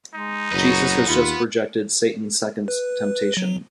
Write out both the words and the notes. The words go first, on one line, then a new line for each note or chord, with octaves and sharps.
Jesus has just rejected Satan's second temptation.
G#3 D#4
F#1 F#3 F#4 B4
D#2 F4 F#5 B5
B4
F#3